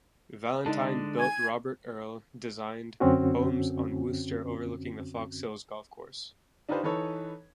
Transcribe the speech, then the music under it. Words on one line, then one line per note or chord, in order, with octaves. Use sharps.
Valentine built Robert Earl designed homes on Wooster overlooking the Fox Hills golf course.
D3 G#3 D4 D#4 A4 A5
G#5 G#6
F#2 D3 C4 C#4 F#4
D4 D#4 F4 G4 B4 C5
E3 D#4 A4 B4 C#5